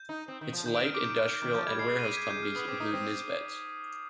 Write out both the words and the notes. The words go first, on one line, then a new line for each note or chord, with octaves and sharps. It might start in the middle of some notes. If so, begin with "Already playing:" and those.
Its light industrial and warehouse companies include Nisbets.
Already playing: G6
D#4
C4
D#3
F3
D#3 G6
D7
F6
D6
G6
F6
G6
D#3 F6
F3 G6
G3 G#6
G#3 C7
D#7
B6
G#6
G6
F6
B3 D#6
C4 D6
D#4 D#6
C4